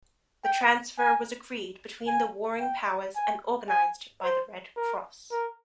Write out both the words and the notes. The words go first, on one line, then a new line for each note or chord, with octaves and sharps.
The transfer was agreed between the warring powers and organised by the Red Cross.
G5
G#5
G#5
G5
G#5
G#5
C5
A#4
A#4